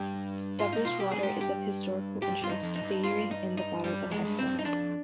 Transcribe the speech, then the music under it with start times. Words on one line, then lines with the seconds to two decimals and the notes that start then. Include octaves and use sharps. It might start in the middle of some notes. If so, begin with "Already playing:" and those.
Devil's Water is of historical interest, figuring in the Battle of Hexham.
Already playing: G2 G4
0.59 G#2 F4
0.73 G#2 D#4
0.85 B2 F4
1.00 G4
1.12 G#2 G#4
1.23 G4
1.41 G2 G4
2.22 G2 G4
2.42 G2 F4
2.50 D#4
2.63 F2
2.76 D#4
2.83 G2
3.04 F4
3.31 D#4
3.57 D#4
3.84 G2 G3
4.04 F2
4.11 G#3
4.25 G2
4.39 C4
4.45 G2
4.59 D#4
4.65 F2 D4